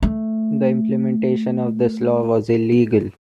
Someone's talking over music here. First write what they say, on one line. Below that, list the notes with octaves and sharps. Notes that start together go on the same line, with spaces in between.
The implementation of this law was illegal.
A3